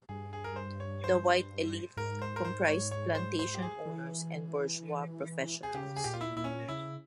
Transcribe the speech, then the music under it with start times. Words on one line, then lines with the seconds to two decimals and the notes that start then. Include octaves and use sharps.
The white elite comprised plantation owners and bourgeois professionals.
0.09 G2 G#4
0.33 G#4
0.44 A#4
0.56 C5
0.80 C#5
1.04 C5
1.97 G#2 A#4
2.22 C5
2.36 A#4
2.45 C5
2.68 C#5
2.91 C#5
3.15 C5
3.39 C5
3.55 G4
3.62 G#4
3.86 E3
5.63 G#4
5.74 C#3 G4
5.96 G#4
6.04 A#2 G4
6.14 F4
6.21 E4
6.36 A#2 E4
6.44 C#4
6.68 C#3 E4